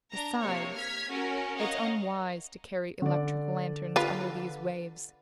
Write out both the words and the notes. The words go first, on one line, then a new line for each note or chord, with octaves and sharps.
Besides, it's unwise to carry electric lanterns under these waves.
D4 A#5
C3 A#3 C#5
F6 G#6 B6
C#4 F#4 A#4
A#4 C#5 D#5 F5 F#5 A#5
D3 D5
F4 B4